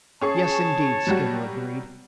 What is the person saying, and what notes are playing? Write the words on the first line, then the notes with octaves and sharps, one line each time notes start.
"Yes, indeed," Skinner agreed.
C#4 G#4 C#5 A5 C#6
F#3 G3 F#4